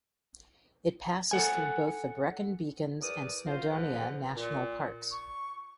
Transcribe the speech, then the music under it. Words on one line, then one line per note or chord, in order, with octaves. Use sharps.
It passes through both the Brecon Beacons and Snowdonia national parks.
A4 F#5 G#5
E2 A#4 D5 D#6
F4 F#4 A#4 C5
E2 G#2 D3 E3 F3
A#2
C#6